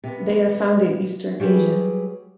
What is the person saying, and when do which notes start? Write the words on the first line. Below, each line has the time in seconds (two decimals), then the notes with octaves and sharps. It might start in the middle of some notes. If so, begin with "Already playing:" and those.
They are found in eastern Asia.
0.04 C3 B3
1.40 F#3 G3 F4 G#4 B4